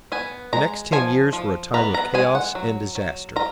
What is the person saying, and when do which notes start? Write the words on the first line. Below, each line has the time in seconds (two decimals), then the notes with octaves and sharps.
The next ten years were a time of chaos and disaster.
0.12 B3 G#5
0.53 G#3 A#5
0.92 F3 G#5
1.33 F3
1.74 B3 A#5
1.94 A#5
2.14 G#3 G#5
2.35 F#5
2.55 F#3
2.95 F#3
3.36 F4 A#5